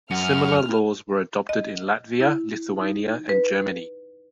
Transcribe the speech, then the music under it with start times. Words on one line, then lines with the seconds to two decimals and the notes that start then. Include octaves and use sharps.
Similar laws were adopted in Latvia, Lithuania and Germany.
0.11 F#2 F#5 F6
1.49 D#5
2.20 E4
2.79 D#4
3.29 B4